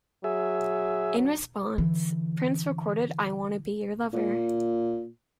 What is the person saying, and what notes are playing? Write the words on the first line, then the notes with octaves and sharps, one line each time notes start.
In response, Prince recorded I Wanna Be Your Lover.
F#3 G#4 E5
D3 E3
A#2